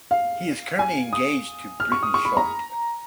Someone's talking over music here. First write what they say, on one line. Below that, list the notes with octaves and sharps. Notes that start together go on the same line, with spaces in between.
He is currently engaged to Brittany Sharp.
F5
G#5
D#6
F6
C#6
D#6
C#6
B5
A#5